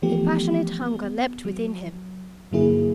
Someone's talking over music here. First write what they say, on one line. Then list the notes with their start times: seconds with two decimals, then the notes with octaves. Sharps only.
A passionate hunger leapt within him.
0.02 E3 F3 A3 B3 G4
0.82 B3
1.45 F#3
2.51 G2 D3 F#3 A#3 E4 G#4